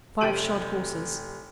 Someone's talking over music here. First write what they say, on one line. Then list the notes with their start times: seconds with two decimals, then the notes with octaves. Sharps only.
Five shod horses.
0.21 F1 G4 D7 D#7 F#7